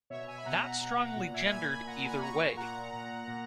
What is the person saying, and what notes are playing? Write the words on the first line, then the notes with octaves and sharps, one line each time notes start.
Not strongly gendered either way.
B2 C#5 E5
E5 G#5
B5
B2 F#5 A#5
B2
A#2
E5 G#5
A#2 G#5 B5
G#5 B5
A#2 F#5 A#5
G#5 B5
A#2 A#5 C#6
A#2 F#5 A#5
A#2
A#2